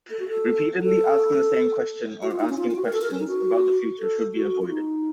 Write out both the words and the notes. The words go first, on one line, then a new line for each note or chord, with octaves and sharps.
Repeatedly asking the same question or asking questions about the future should be avoided.
A4
F#4
A4
A4
F#4
F4
D#4
C#4
F4
F4
F#4
A#4
A4
A#4
C#4
D#4
F#4
A4
F#4
F4
D#4